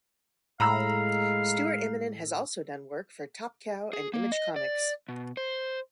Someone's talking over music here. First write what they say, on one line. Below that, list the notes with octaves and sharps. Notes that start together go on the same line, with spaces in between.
Stuart Immonen has also done work for Top Cow and Image Comics.
A2 G#3 F5 A#5 B5 E6
G#4
A#3
D#5
D5
B2
C5